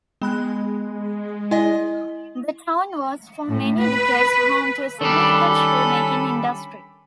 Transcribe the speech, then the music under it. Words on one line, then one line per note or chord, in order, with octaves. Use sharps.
The town was for many decades home to a significant shoe-making industry.
G#3 B3 B5 F#6
E4 D#5 G#5
A2
B4
D#3 G3 C#4 D4 A4 B5